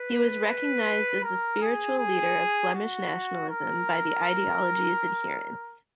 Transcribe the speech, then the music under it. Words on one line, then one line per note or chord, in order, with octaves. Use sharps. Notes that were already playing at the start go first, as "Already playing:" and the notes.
He was recognised as the spiritual leader of Flemish nationalism by the ideology's adherents.
Already playing: B4
B4
A#4
G#4
G#4
F#4
A#4